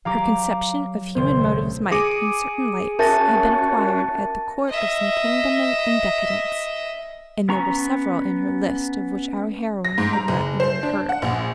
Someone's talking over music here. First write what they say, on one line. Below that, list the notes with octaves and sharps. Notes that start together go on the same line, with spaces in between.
Her conception of human motives might, in certain lights, have been acquired at the court of some kingdom in decadence, and there were several in her list of which our heroine had not even heard.
F#3 G4 F5 A#5 D6
D#1 C2 C#3 C5 C6
A3
G#4 D6 A#6 C#7 D#7
C#4 F#4 A#4 E5 A5 A6 A#6
D#5 E5
B3 C#4 A#5 C#6
A#6
G#2
A#5
F#1
C5
D4
F#5
A#1